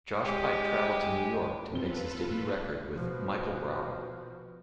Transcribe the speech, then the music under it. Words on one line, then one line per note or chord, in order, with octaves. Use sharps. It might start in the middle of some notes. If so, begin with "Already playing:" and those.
Josh Pyke travelled to New York to mix his debut record with Michael Brauer.
G#3 G4
E1 C4 F4 A4 B4 G7
B2 F3